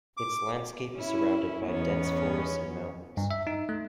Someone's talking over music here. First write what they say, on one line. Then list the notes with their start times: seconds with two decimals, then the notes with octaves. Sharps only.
Its landscape is surrounded by dense forests and mountains.
0.17 D6
0.94 C#4 E4
1.68 E2 D#3 B3 C#4 C#5
3.17 G2
3.31 E5
3.47 D#4
3.69 A3